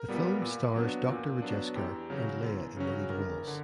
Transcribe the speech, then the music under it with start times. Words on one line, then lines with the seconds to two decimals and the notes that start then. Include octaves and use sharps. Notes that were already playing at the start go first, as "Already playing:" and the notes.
The film stars Doctor Rajasekhar and Laya in the lead roles.
Already playing: A#4
0.08 A#2 G3 B3
0.42 A#2
0.76 F#3 B3 D4
1.09 A#2
1.42 F#3 B3 D4
1.75 E2 G4
2.10 C#3 F#3 C#4
2.43 E2
2.77 C#3 F#3 C#4
3.10 G1 A#4
3.48 D3